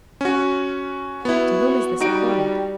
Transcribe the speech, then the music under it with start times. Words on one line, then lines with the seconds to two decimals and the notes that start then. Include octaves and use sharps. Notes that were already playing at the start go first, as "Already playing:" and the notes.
To whom is this accorded?
0.21 C#4 F#4
1.25 B3 E4 F#4
2.01 G3 D#4 F#4 D7